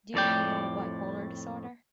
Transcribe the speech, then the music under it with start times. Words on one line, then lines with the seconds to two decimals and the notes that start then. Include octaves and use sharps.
Do you know Bipolar disorder?
0.14 F2 A2 D5 G5